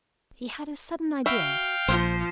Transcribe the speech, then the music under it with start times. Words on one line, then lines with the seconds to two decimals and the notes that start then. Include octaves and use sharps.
He had a sudden idea.
1.26 F#4 E5 F5 G5 B5
1.88 A#1 F3 C5